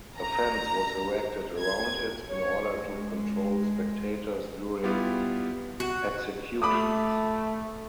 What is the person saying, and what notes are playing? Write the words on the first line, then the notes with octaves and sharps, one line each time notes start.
A fence was erected around it in order to control spectators during executions.
A#5
G#6
C#5
G#3
G3 B3 E4 F4 G4
F#4
A3 B5 D6 D#6